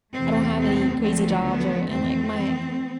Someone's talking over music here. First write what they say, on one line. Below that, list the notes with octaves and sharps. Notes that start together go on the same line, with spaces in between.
I don't have any crazy jobs or and, like, my
E2 C3 E3 A3 C4
C4
D2 D3 F3 A3 C4
B3
F2 E3 A3 C4